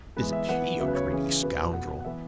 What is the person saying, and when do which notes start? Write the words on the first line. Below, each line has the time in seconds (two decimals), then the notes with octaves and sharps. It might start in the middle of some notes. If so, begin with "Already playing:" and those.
Isn't he a greedy scoundrel?
0.17 E3 G#3 B3 B4
0.33 E5
0.49 E3 B3 F#5
0.80 C#3 F#3 B3 E5
0.88 B4
0.95 C#5
1.05 B4
1.11 C#3 E3 C#4 G#4
1.42 B2 B3 B4
1.73 B2 B3 F#5
2.00 F#5
2.05 E3 B3 E5